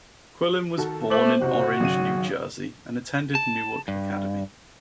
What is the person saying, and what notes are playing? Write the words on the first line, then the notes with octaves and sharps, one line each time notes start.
Quillen was born in Orange, New Jersey, and attended Newark Academy.
D#3 F#4 A4
A3 C5 D6 F#7
F#1 C3 F#4
G#1 C#3 F#3 D#7
A5
G2